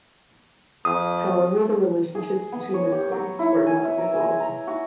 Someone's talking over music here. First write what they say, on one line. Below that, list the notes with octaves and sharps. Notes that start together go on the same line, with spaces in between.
However, the relationships between the clades were not resolved.
F2 D#6
G#4
B3
C#5
G4
F#3
E4
G#5
E5
A#4
G#3
A#5
F#4